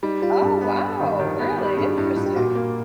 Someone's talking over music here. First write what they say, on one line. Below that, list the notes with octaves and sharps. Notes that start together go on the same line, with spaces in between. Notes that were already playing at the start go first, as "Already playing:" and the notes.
Oh, wow, really? Interesting.
G3 D#4
G3 F4
G4
G2 G#4
B3 G4
G3
D#3
D#3
B3
G3
G2 G#4
G2 E4
G2 F4
G4
A#2 F#4
A#3